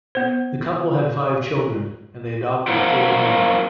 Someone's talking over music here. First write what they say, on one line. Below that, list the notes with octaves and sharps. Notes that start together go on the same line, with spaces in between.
The couple had five children, and adopted four more.
B3 C5
F#3 A#4 C5 C#5 F5 F#5